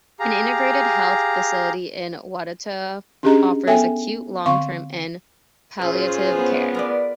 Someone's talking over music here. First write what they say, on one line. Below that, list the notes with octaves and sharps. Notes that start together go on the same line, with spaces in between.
An integrated health facility in Wawota offers acute, long-term and palliative care.
G4 G#4 F5 A#5
C#4 D4 G4 G#4 D#5 A#5
B3 A4 E5 G5 G#5
D3 C4 F5 C6 C#6
A#2 C#4 F4 G#4 C5
B3
A#4 B4 D5